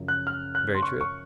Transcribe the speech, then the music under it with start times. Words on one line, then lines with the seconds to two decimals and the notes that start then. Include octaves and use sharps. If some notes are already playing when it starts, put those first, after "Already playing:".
Very true.
Already playing: F#2 C#3 F3
0.08 F#6
0.27 F6
0.55 F#6
0.75 C6
0.83 C#6
1.01 C#6